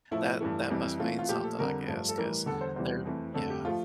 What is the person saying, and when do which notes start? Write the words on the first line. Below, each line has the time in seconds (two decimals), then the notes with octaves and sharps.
that that must mean something, I guess, 'cause they're Yeah.
0.11 A2 F3 A3 E4
0.40 G2 E3 A3
0.70 F2 E3 G3
0.99 F2 E3 A3 F4
1.19 F4
1.29 A#2 F3 A3 G4
1.43 A4
1.59 F2 D3 G3 A#4
1.88 G2 F3 A3
2.09 A4
2.18 A2 E3 G3 A#4
2.46 E2 D3 G3 A4
2.61 C5
2.76 E2 C3 E3 G3 C5
3.05 F2 E3 A3
3.34 F2 D3 A3 A4
3.50 G4
3.65 F3 A3 F4